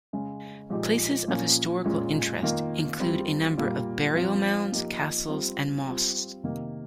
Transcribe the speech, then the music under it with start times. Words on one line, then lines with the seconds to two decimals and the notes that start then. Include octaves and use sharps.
Places of historical interest include a number of burial mounds, castles and mosques.
0.13 C#3 G#3 C#4
0.70 A#2 F3 G#3 D#4 G4
1.27 A#2 F3 A#3 C#4
1.85 A#2 G#3 C#4
2.42 D#3 A#3 F4
3.00 G3 C4 F4
3.57 A#2 G3 A#3
4.14 F3 C4 F4
4.71 F3 A#3 D#4 G4
5.29 G3 C4 F4
5.87 G3 C4 F4
6.44 C3 D#3 A#3